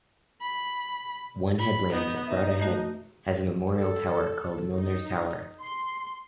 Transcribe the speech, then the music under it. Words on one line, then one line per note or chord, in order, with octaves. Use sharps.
One headland, Bradda Head, has a memorial tower called Milner's Tower.
B5
F4 B5
B3 D#4
D#4 B4 E5
A3 F#4
A4
D#4
C6